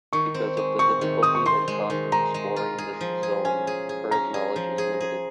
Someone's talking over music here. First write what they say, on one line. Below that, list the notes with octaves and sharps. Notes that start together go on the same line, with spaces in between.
Because of the difficulty and cost of exploring this zone, current knowledge is limited.
D#3 C#6
C4
G#3
C4 C#6
D#3
C4 D#6
C#6
C4 C6
G#3
D#3
G#3 A#5
G#3
F4
G#4
F3
G#4
C#4 G#5
G#4
G#4
C#4 A#5
G#4
F3
G#4
G#4